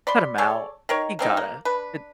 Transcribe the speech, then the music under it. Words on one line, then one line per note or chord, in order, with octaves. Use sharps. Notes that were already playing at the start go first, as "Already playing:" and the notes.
cut 'em out. You gotta. It
D5 B5 C6
G#4 A4 C#5 D5
D#3 A#4 C#5
A#3 C4 D4 D#4
A#3
D4 B4